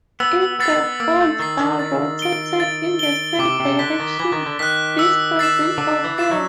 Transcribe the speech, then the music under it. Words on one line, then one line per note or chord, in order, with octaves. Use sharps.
If the bonds are rotated in the same direction, this doesn't occur.
B3 E6
B3 A6 C7
A#3 E6
A3
D#3 A6 C7
D#3
A6
D7 G7
A6
D7 G7
C3 D6
C3
D3 F#6 B6
D#3
E3 D6
D#3
D3
D#3 F#6 B6
E6
A6 C7 E7
D3 E6
E3
A6 C7 E7
F#3